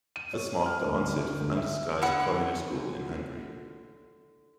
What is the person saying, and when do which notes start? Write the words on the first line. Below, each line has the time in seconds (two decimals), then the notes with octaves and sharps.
This marked the onset of undisguised Communist rule in Hungary.
0.16 D#7
0.33 C#5
0.66 F6
0.85 D2
1.16 D3
1.40 D2
1.57 E5
2.02 D3 E4 F#5